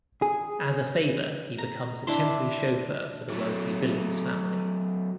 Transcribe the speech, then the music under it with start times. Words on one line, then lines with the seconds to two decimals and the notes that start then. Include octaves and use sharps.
As a favor, he becomes a temporary chauffeur for the wealthy Billings family.
0.22 G#4
1.58 A#5
2.07 D4 E4 E5 C6
3.30 F#3 A3